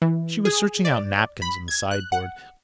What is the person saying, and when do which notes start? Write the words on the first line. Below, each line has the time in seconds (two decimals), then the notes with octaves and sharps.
She was searching out napkins in the sideboard.
0.02 E3
0.45 G#4
0.85 D5
1.42 B5
1.68 G#6
1.91 F#6
2.12 F#5